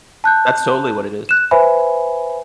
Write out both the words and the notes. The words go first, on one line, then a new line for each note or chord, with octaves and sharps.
That's totally what it is.
A5 F#6 G6
F#6 E7
B4 C5 E5 G#5 B5